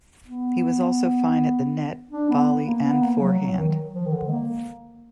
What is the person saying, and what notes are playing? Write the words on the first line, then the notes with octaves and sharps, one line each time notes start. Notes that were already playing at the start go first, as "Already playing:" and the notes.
He was also fine at the net, volley and forehand.
B3
D4
B3
A#3
B3
A#3
F#3
F#3
D#3
F3
D#3
D3
G#3
A#3